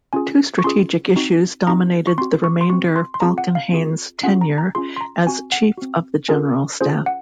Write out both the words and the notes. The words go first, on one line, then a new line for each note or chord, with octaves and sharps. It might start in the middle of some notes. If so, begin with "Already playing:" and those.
Two strategic issues dominated the remainder Falkenhayn's tenure as Chief of the General Staff.
C#4 F4 G#4 G#5
C#6
C#4 F4 G#4 C6
C4 D#4 F#4
C4 D#4 F#4 A#5
C#6
C4 F#4 C6
C#6
C6
C4 F#4 C#6
C6
C6
C4 F4 G#4 A#5
F#5
F5
C4 F4 G#4
C#4 F4 G#4 F#5
A#5
A#5
C#4 F4 G#4 C6
C6
A#5
C4 F#4 G#5
F#5
C4 F#4
C#4 F4 G#4 A#4
C#4 F4 G#4 C5
F#5